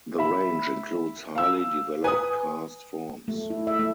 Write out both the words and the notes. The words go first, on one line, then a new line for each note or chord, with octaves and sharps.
The range includes highly developed karst forms.
E5 B5
F5 E6
B4 G#5 D#6
A3
E4
E5
A3